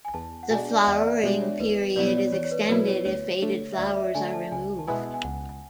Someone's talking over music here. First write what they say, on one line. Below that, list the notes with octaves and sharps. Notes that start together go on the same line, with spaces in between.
The flowering period is extended if faded flowers are removed.
G#5
E2 A5
F#5
B2 G#3 D4 G#5
D5
E5
E2 F#5
D5
E5
B2 G#3 D4 D5
C#5
E2 B4
B2 F#3 B3 E4 D5
C#5
D5
E2 C#5
C#5
B4
B2 F#3 B3 E4 B4
C#5
D2 C#5
D3 A3
E5
D2 D5
E5
D3 A3 G#5
A5
C#2 G#5
A5
B2 G#3 B3 E4 G#5
G#5
C#2 F#5